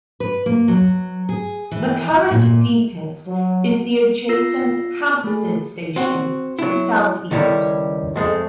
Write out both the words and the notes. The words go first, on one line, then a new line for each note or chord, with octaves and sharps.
The current deepest is the adjacent Hampstead station to the south-east.
B4
A#3
F#3
G#4
E3
E4
A#2
F#3
F4 E6 A#6 C7
A3 G#4
C4 F#4
F#3 E4
C#2 D#3 G3 E4 A4
F2 G#3 A3